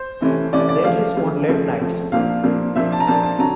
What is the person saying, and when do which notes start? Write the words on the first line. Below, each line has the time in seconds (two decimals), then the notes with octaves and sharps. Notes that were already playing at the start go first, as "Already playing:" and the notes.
James is on late nights.
Already playing: C5
0.21 C3 E3 A3 C#4
0.52 C3 E3 A3 C#4 D5
0.69 D5
0.84 C#3 F3 A3 F5
1.16 C#3 F3 A3
1.48 C#3 F3 A3
1.80 C#3 F3 A3
2.12 A#2 F3 A#3 D4 F5
2.44 A#2 F3 A#3 D4
2.75 A#2 F3 A#3 D4 E5
2.92 A5
3.00 A#5
3.07 A#2 F3 A#3 D4 A5
3.23 A5
3.39 D3 F#3 A#5